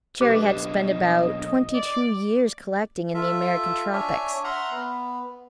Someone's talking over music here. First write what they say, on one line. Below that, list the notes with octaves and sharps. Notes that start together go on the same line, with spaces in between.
Cherrie had spent about twenty-two years collecting in the American tropics.
B1 D4 G4 B4 D#5
D5
F4 A4 E5
D4 C#5 E5 G#5
E5 F#5 A#5 C6 F6
B3